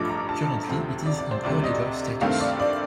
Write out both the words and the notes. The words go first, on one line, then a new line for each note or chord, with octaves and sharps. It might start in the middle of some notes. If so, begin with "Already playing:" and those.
Currently it is in early draft status.
Already playing: A1 G2 F3 A3 D6
A#5
A5
D2 C3 F3 C4
D5
D5
C5
D2 C3 G3 C4 D5
D#5
G2 D#3 A3 C4 F5
D5
D5